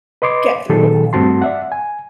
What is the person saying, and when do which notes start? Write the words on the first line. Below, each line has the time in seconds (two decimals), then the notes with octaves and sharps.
get through ‘em all.
0.22 B4 D#5 C6 D6
0.70 A#2 D#3 F#3 G#4 A4
1.13 G2 A3 C4 F#4 A5 C6
1.42 D5 E5 F#5
1.72 G#5